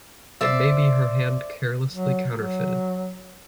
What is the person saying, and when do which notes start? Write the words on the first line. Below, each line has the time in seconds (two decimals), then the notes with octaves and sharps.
It may be her hand carelessly counterfeited.
0.41 C5 D5 E5
1.90 F#3
2.33 F#3